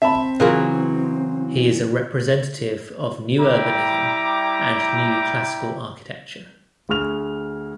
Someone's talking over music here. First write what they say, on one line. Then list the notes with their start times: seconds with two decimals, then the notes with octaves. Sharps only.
He is a representative of New Urbanism and New Classical Architecture.
0.02 C4 E5 A5 B5
0.40 C#3 E3 F#3 F4 G#4 A#4
3.40 G3 E4 G5 A#5 D6
6.89 D2 G#4 C#6 F6 F7